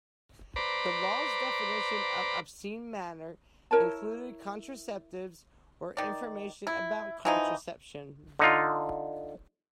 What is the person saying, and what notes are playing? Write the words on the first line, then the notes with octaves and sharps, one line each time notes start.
The law's definition of obscene matter included contraceptives or information about contraception.
B4 C5 D5 A#5 B5 D6
E4 A#4 C#5 A5
D#3 D5
E4
E3 F3 D#4
D3 D#4 F4